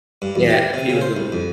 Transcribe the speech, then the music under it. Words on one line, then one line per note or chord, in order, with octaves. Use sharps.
Yeah, he was the m
G2
E2
G4
C3
C#3
C5
C2
F2